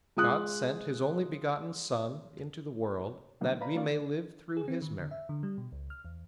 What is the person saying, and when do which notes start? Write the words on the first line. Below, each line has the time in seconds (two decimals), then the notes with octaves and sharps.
God sent His only-begotten Son into the world that we may live through His merit.
0.17 G#3 F4 D#6 F#6
3.41 D3 F#3 G3 A#3 D4 D#4
3.61 B4 D5 F5 A#5 B5
3.75 A3 C#4 F4 A#4 D5 F5
3.89 D5
4.57 G#4
4.68 C4
4.82 D#3
4.99 D3
5.11 E5
5.29 D3
5.43 G3
5.58 B2
5.72 C#2
5.90 F6
6.05 E2